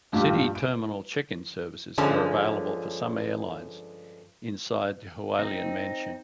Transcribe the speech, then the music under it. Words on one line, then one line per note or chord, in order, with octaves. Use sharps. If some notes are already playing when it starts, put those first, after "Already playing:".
City Terminal check-in services are available for some airlines inside the Hualian Mansion.
A1 G2 A#2 G3 F4 G4
D7
G2 D3 F3 G#3 C#4 A5
C4 D#4